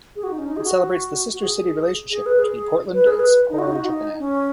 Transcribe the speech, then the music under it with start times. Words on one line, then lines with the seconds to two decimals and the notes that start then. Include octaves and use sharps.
It celebrates the sister city relationship between Portland and Sapporo, Japan.
0.16 G#4
0.23 F#4
0.31 D#4
0.39 C#4
0.48 D#4
0.57 G#4
0.64 F#4
1.33 F#4
1.43 G#4
2.11 G#4
2.26 B4
2.39 G#4
2.94 B4
3.07 G#4
3.19 B4
3.50 D#4
3.59 F#4
3.67 D#4
3.76 F#4
3.85 D#4
4.19 C#4